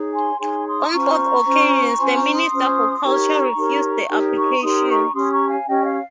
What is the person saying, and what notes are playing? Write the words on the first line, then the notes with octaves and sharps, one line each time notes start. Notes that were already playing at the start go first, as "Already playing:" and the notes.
On both occasions the Minister for Culture refused the application.
Already playing: D#4 G#4 C#5
G#5 C6
D#4 G#4 C#5 G#5 C6
C6 D#6
C#4 F4 C5 A#5 C#6
C#4 F4 C5
C#4 F4 C5 G#5 C6
A#5 C#6
C6 D#6
C#4 F4 C5
D#4 G4 A#4 C#5 A#5 C#6
D#4 G4 A#4 C#5
D#4 G4 A#4 C#5
A#5 C#6
D#4 G4 A#4 C#5 C6 D#6
A#5 C#6
C#4 G4 C#5 C6 D#6
A#5 C#6
F5 G#5
C#4 G4 C#5 D#5 G5
C#5 F5